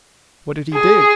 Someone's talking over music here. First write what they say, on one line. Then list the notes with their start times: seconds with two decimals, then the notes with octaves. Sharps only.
What did he do?
0.73 G#4